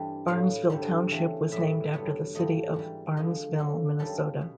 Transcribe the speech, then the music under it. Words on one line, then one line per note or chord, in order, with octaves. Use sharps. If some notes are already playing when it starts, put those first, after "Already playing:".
Barnesville Township was named after the city of Barnesville, Minnesota.
Already playing: G2 E3 G3 A3 C4
A2 F#3 B3 F5
G2 D3 G3 C4
C#3 E3 A3 C4
A2 E3 G3 B3 E5
G2 D3 F#3 B3
G2 D3 F3 A3 D#5
G#2 E3 G3
D3 F3 G#3 D#5
D3 F#3 A#3 C#4
F#2 D#3 G3 A#3 C#4 A4
B2